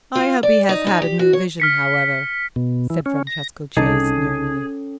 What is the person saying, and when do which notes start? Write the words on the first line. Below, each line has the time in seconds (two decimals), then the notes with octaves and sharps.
"I hope he has had a new vision, however," said Francesco Cei, sneeringly.
0.15 F4
0.43 D5
0.69 D#4
0.87 D#4
1.02 G4
1.19 F#4
1.33 C#5
1.60 F6 B6 C#7
2.56 B2
2.90 E3
3.06 C#4
3.27 A#6
3.77 C2 C#4 D#4 G#4 A4 A5